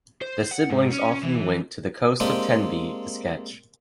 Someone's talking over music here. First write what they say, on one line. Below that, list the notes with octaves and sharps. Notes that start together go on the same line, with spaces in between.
The siblings often went to the coast of Tenby to sketch.
C5
F#5
G#2
C#4
E3
G#3 A#3 C4 D4 G4